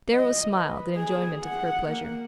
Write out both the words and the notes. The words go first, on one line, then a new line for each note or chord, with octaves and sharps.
Darrow smiled in enjoyment of her pleasure.
D#5
B4
G#4
F#5
A#3